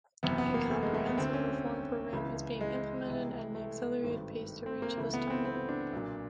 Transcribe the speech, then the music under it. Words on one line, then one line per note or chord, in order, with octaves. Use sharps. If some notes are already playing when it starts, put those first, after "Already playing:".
A comprehensive reform program is being implemented at an accelerated pace to reach this target.
F#1 E2 C3 B3
B3
A#3
A3
G#3
A3
B3
D2 D3 C4
C#4
C#2 C#3 E3
G#3
C2 C3 E3
A3
G#1 G2 D#3
C4
A#3
C#2 C#3 E3 A3
B3
C4
C4
D4
B1 A#2